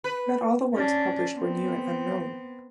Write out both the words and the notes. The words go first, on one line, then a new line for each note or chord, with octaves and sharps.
Not all the works published were new and unknown.
B4
C#4 D4
B3 C4